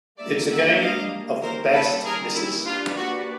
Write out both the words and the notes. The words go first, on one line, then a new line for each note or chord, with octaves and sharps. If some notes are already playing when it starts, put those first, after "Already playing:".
It's a game of the best misses.
G3 A#3 D4 D5 E5
E5 F#5
D#5 F5
D#3 G3 A#3 C#4 A#4 C5
A4 B4
G#4 A#4
E4
A#3 D4 F4 G4 B4 D5
F#4